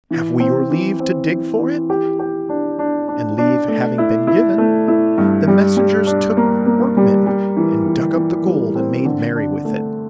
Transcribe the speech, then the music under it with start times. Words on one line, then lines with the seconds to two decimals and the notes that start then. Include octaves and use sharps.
Have we your leave to dig for it?' And leave having been given, the messengers took workmen and dug up the gold and made merry with it.
0.11 E3
0.40 C4
0.70 E3
1.00 C4
1.29 E3
1.59 E3
1.90 G4
2.19 G4
2.49 D4
2.79 D4
3.08 D4
3.38 D4
3.68 A3
3.98 E4
4.27 E4
4.58 A3
4.88 E4
5.18 G2
5.47 G3
5.77 G3
6.07 D4
6.37 A#3
6.66 A#3
6.97 G3
7.26 G3
7.57 E3
7.86 E3
8.16 E3
8.46 G3
8.75 C4
9.05 D3
9.36 D4
9.65 A3